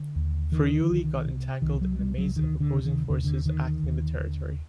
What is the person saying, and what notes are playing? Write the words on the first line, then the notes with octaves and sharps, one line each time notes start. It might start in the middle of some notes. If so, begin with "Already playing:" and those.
Friuli got entangled in the maze of opposing forces acting in the territory.
Already playing: D3
D#2
D3 D#3
C2
C3
C2 D#3
F#3
C3 G3
F#3
D2 D#3
D3
C3
D#3
D#2 D3
D3
D3 D#3
D#2
D3